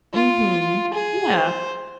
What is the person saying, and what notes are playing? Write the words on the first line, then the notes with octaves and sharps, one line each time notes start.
Mhm. Yeah.
F4
G#4
C5